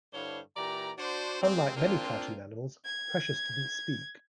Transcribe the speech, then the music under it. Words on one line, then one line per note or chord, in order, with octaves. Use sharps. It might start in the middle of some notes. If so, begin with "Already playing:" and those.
Unlike many cartoon animals, Precious didn't speak.
G2 D3 E4 C5 C#5 F5
A#2 E3 G4 D5 A#5
D4 F#4 C5
C3 F3 G#3 C4
A#3 C4 D4 F4
G#6